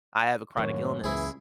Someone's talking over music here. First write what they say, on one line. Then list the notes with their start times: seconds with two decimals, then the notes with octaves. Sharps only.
I have a chronic illness
0.57 F#2 A2 D#3 A#3 C#5
1.04 C#2 E3 E4 G#4